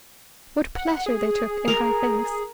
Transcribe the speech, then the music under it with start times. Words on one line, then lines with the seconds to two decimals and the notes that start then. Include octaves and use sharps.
What pleasure they took in high things!
0.75 F#5
1.06 G#4
1.68 A#4